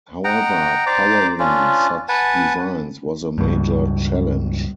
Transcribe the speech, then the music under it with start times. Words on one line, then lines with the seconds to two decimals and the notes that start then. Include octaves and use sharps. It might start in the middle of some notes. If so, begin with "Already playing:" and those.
However, powering such designs was a major challenge.
0.24 D#5 F#5 G5 A#5
0.86 C5 D5 A#5 D6
1.39 C#4 D4 F4
2.09 B4 F#5 G#5 A5
3.38 C#2 G2